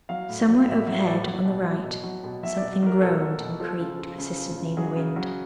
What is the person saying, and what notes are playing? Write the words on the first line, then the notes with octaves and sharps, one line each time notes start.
Somewhere overhead on the right, something groaned and creaked persistently in the wind.
F#3 F5
A2
F#3
F5
A2 E5
F#3 E5
A2 D5
F#3
B2
F#3
B2
F#3
B2
F#3 E5
D5
B2
F#3 A#4
B2 A4
F#3
B2
F3 A4
C#3
F3
C#3
F3
C#3
F#3 G#4
C#3
F#3